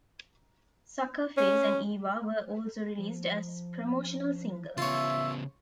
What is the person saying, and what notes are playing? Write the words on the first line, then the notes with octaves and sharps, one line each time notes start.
"Suckerface" and "Eva" were also released as promotional singles.
C#4
F3
C#3 B3 F4 C#5 E5